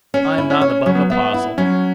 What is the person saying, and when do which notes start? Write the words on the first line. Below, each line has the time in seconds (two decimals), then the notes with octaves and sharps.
'I am not above a parcel.'
0.14 C#4 C#5
0.38 E4
0.50 C#4
0.61 C#5
0.86 F#3 C#4
0.95 B3
1.10 B3 E5
1.34 E4
1.58 F#3 C#4